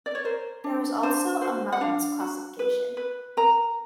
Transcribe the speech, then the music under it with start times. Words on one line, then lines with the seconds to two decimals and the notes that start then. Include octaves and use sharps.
There was also a mountains classification.
0.06 D5
0.15 C#5
0.25 A#4 C5
0.64 D4
1.03 D4 C5
1.41 F#4 C5
1.72 F#5
1.81 D4 F5
2.20 F#4
2.59 B4
2.97 B4
3.37 A#4 A#5